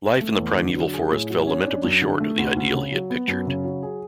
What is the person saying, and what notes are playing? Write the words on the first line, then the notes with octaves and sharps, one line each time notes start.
Life in the primeval forest fell lamentably short of the ideal he had pictured.
A3
E2
D3
F#3
G#4
A2
F#3
C#4
D4
F#2
D3
A3
D2
D2
C#3
F#3
B3
F#2
C#3
F#3
G#4